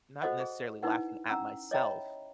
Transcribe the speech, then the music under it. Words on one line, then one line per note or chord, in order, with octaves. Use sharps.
not necessarily laughing at myself.
F#4 A4 C5 D#5 F#5
G#4
D#4 E4 B4 F#5
C#4 F#5 A#5 E6
C#5 D#5 E5 G5 A#5 B5